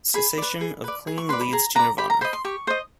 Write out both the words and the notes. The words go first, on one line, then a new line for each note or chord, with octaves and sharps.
The cessation of clinging leads to Nirvana.
G#4 B5
B4 D5
G#4
B4 D5
G#4
C#6
B4 D5 C6
B5
G#4 A#5
B4 D5 A#5
G4 B5
A#5
C5 D#5 B5
C6
G4 C#6
C5 D#5